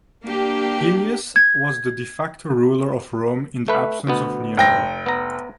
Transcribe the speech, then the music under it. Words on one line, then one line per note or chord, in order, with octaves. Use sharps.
Helius was the de facto ruler of Rome in the absence of Nero.
A#3 D4 G4
G#6
A3 B4
D2 B2 B3
F1 G5 A#6
B3 A#5